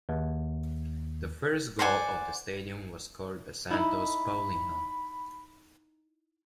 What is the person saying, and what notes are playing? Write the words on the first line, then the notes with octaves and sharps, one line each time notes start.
The first goal of the stadium was scored by Santos' Paulinho.
D#2
C5 D5 F#5 G#5
D#4 E4 B5